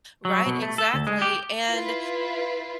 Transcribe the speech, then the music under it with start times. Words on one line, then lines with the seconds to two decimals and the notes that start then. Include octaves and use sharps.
Right, exactly, and,
0.25 F#3
0.46 B2
0.62 A3
0.78 A4
0.94 D2
1.07 G#3
1.22 G4
1.66 E4 F4 B4